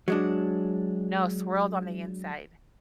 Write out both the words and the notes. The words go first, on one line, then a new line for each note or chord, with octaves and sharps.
No, swirled on the inside
F#3 G#3 D4